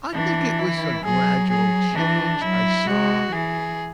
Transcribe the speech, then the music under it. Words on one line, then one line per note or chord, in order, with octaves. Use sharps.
I think it was a gradual change, I saw,
E3 D4
E4
F#3 G#4
G#4
E3 D4
F#3 E4
G#3 F#4
E3 G#4